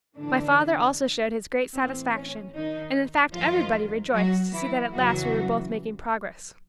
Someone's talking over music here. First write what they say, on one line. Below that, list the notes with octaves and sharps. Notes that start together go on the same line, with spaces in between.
My father also showed his great satisfaction, and in fact everybody rejoiced to see that at last we were both making progress.
A2 D3 E3 D4
A2 E3 C4
C#4
D#3 D#4
F#2 F3 F4
D#3
F#3 F#4
E3 E4
E2 C#3 E3 F#3 F#4